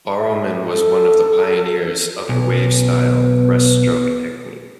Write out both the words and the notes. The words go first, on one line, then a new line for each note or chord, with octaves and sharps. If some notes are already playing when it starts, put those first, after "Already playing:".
Barrowman was one of the pioneers of the "wave-style" breaststroke technique.
E5
A4
B1 B3